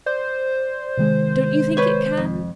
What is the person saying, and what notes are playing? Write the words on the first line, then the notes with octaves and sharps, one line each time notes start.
Don't you think it can?'
C5 D5
C3 D#3 G#3
B4 C#5
F2